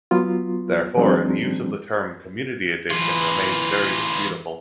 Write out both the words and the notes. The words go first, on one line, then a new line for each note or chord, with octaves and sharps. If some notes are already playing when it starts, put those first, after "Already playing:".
Therefore, the use of the term "community edition" remains very disputable.
F#3 B3 F4
E3 F#3 G#3 C4 D4 D#4
E3 F4